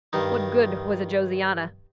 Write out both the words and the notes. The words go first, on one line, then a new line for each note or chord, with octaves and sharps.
What good was a Josiana?
G2 D#3 D#4